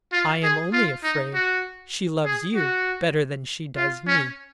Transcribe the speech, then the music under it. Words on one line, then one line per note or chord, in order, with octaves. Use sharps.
"I am only afraid she loves you better than she does me."
F4
G#4
F4
D#4
F#4
G#4
F#4
F4
C#4